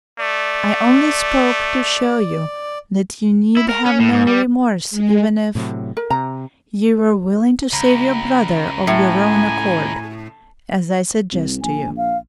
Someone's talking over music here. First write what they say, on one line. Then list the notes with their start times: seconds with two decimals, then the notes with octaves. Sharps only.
I only spoke to show you that you need have no remorse even if... you were willing to save your brother of your own accord, as I suggest to you.
0.19 A3 D5
3.57 E4
3.69 A#4
3.86 C#4
4.00 A2
4.13 G#2
4.27 G3
4.91 G#3
5.55 A2 C3 F#3
5.97 A#4
6.10 C3 A#5
7.73 C#2 A#5 B5
8.87 A2 G#5
11.33 C2
11.63 A#1 G#5
11.97 F5